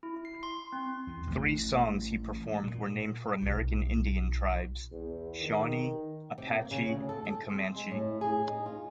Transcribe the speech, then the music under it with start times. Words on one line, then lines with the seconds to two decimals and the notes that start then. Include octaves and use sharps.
Three songs he performed were named for American Indian tribes: "Shawnee", "Apache", and "Comanche".
0.03 E4
0.25 C7
0.43 C6
0.72 C4
1.07 E2
1.27 A1
2.63 A#2
3.42 B1
4.91 E2
5.41 D#3
6.38 C3
6.52 A#3
6.71 C#3
6.87 D2
7.09 A4
7.25 A4
7.49 C4
7.76 G#3
7.91 A2
8.21 G#4
8.47 D#4
8.66 F4